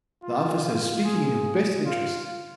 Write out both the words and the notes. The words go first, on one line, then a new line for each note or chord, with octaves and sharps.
'The officer is speaking in your best interests.
F4
F4
G#4
F4